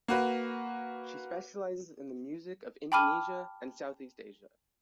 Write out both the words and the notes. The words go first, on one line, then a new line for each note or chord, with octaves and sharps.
She specialises in the music of Indonesia and Southeast Asia.
A#3 F#4 B4
G5 A5 B5 D6 F6 D#7